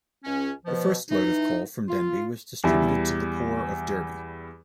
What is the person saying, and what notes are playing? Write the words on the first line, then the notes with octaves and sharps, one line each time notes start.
The first load of coal from Denby was distributed to the poor of Derby.
C#2 C#4
B2 F3
E3 D#4
F4
E2 G3 E4